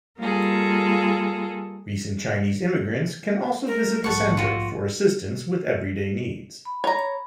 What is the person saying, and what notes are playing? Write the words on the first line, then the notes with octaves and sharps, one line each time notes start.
Recent Chinese immigrants can also visit the Center for assistance with everyday needs.
G3 A#3 F4 G#4 A4
A#4
A#1 G#2 A3 F#5 A5 C#6
F4 F#4
B5
C#5 A#5